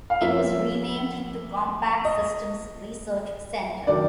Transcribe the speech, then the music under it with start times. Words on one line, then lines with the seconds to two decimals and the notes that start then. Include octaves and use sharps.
It was renamed to "Compaq Systems Research Center".
0.10 F5
0.21 C3 F3 A#3 C#4 E5
2.05 D#5
3.87 D#3 F#3 A3 D4 D5